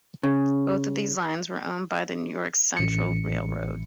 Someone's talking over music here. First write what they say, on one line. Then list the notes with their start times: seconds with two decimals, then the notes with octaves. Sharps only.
Both of these lines were owned by the New York Central Railroad.
0.23 C#3
2.77 A1 C#7